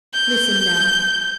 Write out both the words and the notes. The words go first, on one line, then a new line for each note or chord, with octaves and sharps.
Listen now.
G6